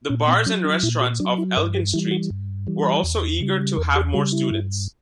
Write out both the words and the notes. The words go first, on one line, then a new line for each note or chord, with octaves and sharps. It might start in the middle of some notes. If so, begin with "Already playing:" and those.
The bars and restaurants of Elgin Street were also eager to have more students.
A#2 C#4
B3
F#3 C#4
D4
A#2 E4
F#4
F#3 D4
E4
G2 A#4
G4
E3 G3 E4
F#4
G2
E3 G3
E2
C#3 G3
E2 A#4
G4
C#3 G3 F#4
E4
G2